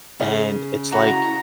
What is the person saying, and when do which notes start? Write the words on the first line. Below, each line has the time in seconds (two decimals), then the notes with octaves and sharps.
And it's like
0.20 C#3
0.92 E4 F#4 A#5